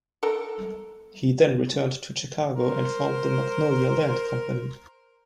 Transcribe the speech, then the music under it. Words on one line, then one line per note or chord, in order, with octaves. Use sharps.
He then returned to Chicago and formed the Magnolia Land Company.
A4 A#4
A#4 C5